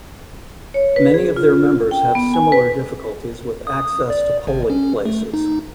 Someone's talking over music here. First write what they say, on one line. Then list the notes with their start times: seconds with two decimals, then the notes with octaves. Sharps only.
Many of their members have similar difficulties with access to polling places.
0.74 C#5
0.96 B4
1.14 G#4
1.36 F4
1.91 G5
2.15 B3
2.34 G#5
2.52 B4
3.67 D#6
4.10 D5
4.47 G#1
4.70 C#4
5.06 A3
5.34 D#4